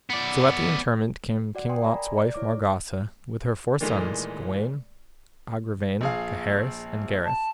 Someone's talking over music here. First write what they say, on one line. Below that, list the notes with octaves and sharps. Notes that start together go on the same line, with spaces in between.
SO at the interment came King Lot's wife Margawse with her four sons, Gawaine, Agravaine, Gaheris, and Gareth.
B3 D5
F#4 D5 F#5
D5 G5 G#5 C6 D#6
A#4 D5 G#5 A#5 B5
D5
E4 C#5 D6
A#2 D#3 E3 G#3 A3
A#1 G#4 F5
A5